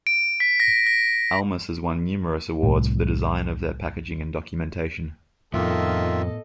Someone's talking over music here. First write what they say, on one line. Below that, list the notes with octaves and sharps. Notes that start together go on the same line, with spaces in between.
Almus has won numerous awards for the design of their packaging and documentation.
D7
B6
A#6
A#6
C2 A2
F2 A2 D#3 B3 F4 A4 D#5 E5